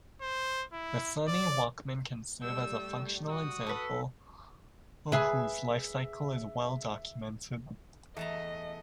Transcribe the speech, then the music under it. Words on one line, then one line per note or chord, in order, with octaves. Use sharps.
The Sony Walkman can serve as a functional example whose life cycle is well-documented.
C5
E4
D5
G3 A3 E6
F#4 D#6
A4 B4
G#4 B4 E5
E2 A3 D#5 A5 A#5